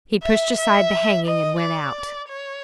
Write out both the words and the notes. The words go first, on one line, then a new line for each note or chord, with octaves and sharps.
He pushed aside the hanging and went out.
E5
E5
D#5
D5
C#5